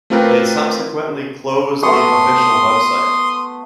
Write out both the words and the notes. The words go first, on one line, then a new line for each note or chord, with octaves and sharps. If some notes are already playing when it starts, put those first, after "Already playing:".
They subsequently closed the official website.
A3 C4 F4 G4 A#4 B4
A3 B3 C6 C#6 D#6